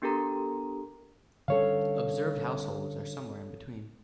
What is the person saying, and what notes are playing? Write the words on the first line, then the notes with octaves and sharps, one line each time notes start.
Observed households are somewhere in between.
B3 D4 G4 A4 A#4 A#5
D3 G3 C#4 A4 C#5 F5